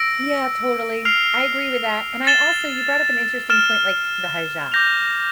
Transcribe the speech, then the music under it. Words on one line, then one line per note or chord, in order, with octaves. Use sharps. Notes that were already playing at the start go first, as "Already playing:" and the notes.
Yeah, totally. I agree with that. And I also you brought up an interesting point like the hijab.
Already playing: E6 A#6 D7
F6 C7 F7
A6 E7 G7
F6 A6 E7 G7
D6 G6 A#6 F7